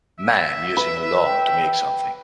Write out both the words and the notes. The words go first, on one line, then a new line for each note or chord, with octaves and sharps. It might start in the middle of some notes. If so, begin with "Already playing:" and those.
Man using a loom to make something.
E5
B4
G5